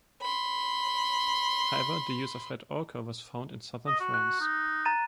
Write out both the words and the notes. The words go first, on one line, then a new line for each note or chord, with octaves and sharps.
However, the use of red ocher was found in southern France.
B5 C6
D#5
F#4
F#6
D#4
A#5 A6 D#7